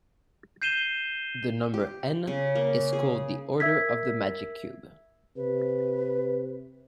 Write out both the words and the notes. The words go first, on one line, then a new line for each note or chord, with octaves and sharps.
The number "n" is called the order of the magic cube.
G6 C7 D#7 E7 G7
G4
C#3
A#3
G#4
A#4 E5 E6 G#6 B6
C3 B4